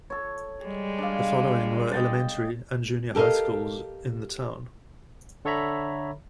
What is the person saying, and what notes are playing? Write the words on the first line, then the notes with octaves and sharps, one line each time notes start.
The following were elementary and junior high schools in the town.
A4 C#5
G3 G#3
D4 F5
D#5 G5 A5
G4 A4 A#4 D#5 F5
D3 A4 C#5 E5 A#5 B5